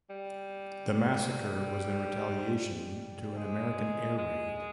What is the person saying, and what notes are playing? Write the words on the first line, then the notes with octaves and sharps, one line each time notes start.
The massacre was in retaliation to an American air raid.
G3
G3
G#3
G#3